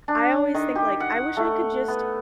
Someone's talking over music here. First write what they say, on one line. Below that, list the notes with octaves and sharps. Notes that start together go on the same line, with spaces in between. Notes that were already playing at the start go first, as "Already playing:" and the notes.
I always think, like, I wish I could just
D4
D#3
G4
F#5
A3
B3